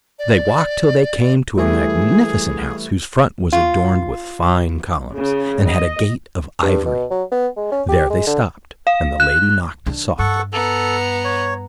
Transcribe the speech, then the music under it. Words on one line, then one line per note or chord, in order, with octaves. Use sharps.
They walked till they came to a magnificent house, whose front was adorned with fine columns, and had a gate of ivory. There they stopped, and the lady knocked softly.
D5
E3 G3 A3 G#4
F4
C#3
D#5
G2
B2
F#3
B3
G#3
C#4
G4
G#3
D3
F5
F#6
D#3 D4
G2 A4 F#5 C#6
B3 A4 A#5
C#5